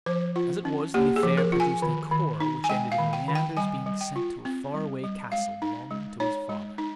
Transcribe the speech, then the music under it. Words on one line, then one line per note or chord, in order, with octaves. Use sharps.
As it was, the affair produced a quarrel, which ended in Leander's being sent to a far-away castle belonging to his father.
F3 C5
F4
C#4
A#3 G4
G#4
F3
A#4
F4
G#5
D#3
D#3
D#4
G#5
G#3 G5
F5
D#3
G5
D#3
G5
G3 G#5
G3
G5
F4
C4
G3
G3
G#3 F5
D#4
G#3
D#4 C#5
G#3
D#4